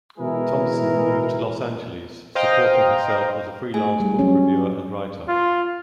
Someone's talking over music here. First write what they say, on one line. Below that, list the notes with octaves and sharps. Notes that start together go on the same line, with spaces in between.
Thompson moved to Los Angeles, supporting herself as a freelance book reviewer and writer.
B2 E3 G#3 E4 G#4 A#4
C5 D#5 F5 G5 A#5
A3 G#4 G#5
G3 D#4
F#3 C#4
F4